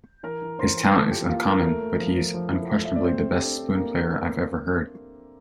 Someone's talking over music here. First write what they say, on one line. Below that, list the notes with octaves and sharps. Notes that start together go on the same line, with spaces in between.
His talent is uncommon, but he is unquestionably the best spoon player I've ever heard.
E3 A#4 A#5
E3
E3 C5 C6
E3
E3 A4 A5
F4 G4 G5
A#3 F4 F5
E3 A#3 A#4
A3
A3
F3
F3
F3
E4
A3
A3 E5
D5
A3 C4 C5
A3
G4
D4 A4
D4
A#3 D4 A#4